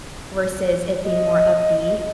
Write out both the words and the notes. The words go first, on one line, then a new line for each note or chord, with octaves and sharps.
versus it being more upbeat,
D#5